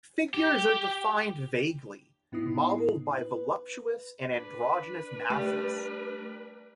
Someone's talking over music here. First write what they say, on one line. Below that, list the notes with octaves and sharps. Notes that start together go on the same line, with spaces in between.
Figures are defined vaguely, modeled by voluptuous and androgynous masses.
G4
A2 B3 D#4 E4 D#6 C7
B4
D4 B4
G3 A3